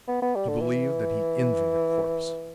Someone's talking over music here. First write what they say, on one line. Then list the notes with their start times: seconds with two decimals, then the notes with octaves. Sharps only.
He believed that he envied a corpse.
0.08 B3
0.22 B3
0.35 G3
0.48 D3
0.61 E3